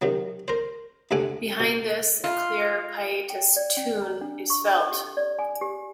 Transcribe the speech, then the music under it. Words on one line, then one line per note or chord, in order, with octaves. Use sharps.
Behind this a clear pietist tune is felt.
C3 D#3 F#3
A#4 C5
D2 C3 A3 F#5 G#5 D6
B2
F4
G5
D5
C#4
A#5
D4
C#6
A4
G4
D5
G#5
G4